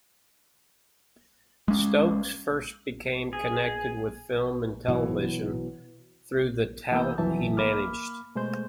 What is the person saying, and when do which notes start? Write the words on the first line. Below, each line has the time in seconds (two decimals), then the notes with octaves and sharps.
Stokes first became connected with Film and Television through the talent he managed.
1.68 G#3 C#4
3.33 G#4
4.88 B2 E3 F#3
6.92 E3 A#3 B3 E6 G6
7.18 C2 F2 E3 F#3 E5 A5
7.57 A#3 B5 D6 F6
8.35 B2 G#3 A3 C5 G6